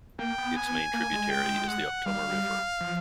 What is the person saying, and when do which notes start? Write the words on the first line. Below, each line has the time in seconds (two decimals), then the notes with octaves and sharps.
Its main tributary is the Ukhtoma River.
0.19 A#3 G5
0.38 B3
0.56 G#5
0.93 A#3
1.12 G#3
1.31 G5
1.68 F#5
2.05 G3 F5
2.80 F3